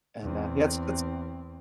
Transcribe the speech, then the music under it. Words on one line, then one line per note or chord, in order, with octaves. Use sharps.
and, uh, yeah that's that's
E2 C4